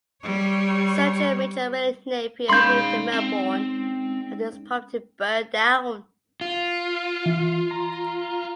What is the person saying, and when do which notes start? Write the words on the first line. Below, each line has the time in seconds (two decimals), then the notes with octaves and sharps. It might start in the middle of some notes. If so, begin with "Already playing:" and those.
Sergeant-Major William Napier moved to Melbourne after his property burnt down.
0.23 G3 C#5
2.49 G#3 C#4 D#4 F5 B5 C6 G6
3.14 C4
6.41 F4
7.26 E3
7.71 A#5